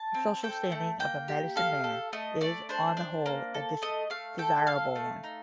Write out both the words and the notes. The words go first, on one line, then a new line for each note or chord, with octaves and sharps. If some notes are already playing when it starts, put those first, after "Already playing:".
The social standing of a medicine-man is, on the whole, a desirable one.
Already playing: A5
C4
A4 G5
A3
A#3 G5
G4
A4 F5
A4
A3 D#5
A3 D5
D4 C5
D4
A#3
A4
A3 D#5
A3 F5
A4 G5
A4 F5
A3
D#4